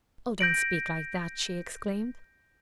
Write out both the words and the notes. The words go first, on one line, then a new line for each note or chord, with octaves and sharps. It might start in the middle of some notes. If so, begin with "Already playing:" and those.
"Oh, don't speak like that," she exclaimed.
G6 A#6 D7 F#7